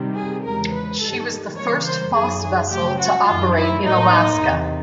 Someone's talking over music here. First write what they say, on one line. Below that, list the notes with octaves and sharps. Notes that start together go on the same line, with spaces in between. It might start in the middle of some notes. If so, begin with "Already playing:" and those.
She was the first Foss vessel to operate in Alaska.
Already playing: C3 D#3 G3
G#4
E2 C#3 F3 G#3 A#4
B4
G2 D#3 G3 A4
C#3 E3 G3 A#3 C#5
C5
F#2 D#3 F#3 G#4
G#4
C#3 F#3 A3 G4
F#4
F#2 D#3 F#3 A3 F4
E4
A2 F#3 A#3 D#4
E2 C3 D#3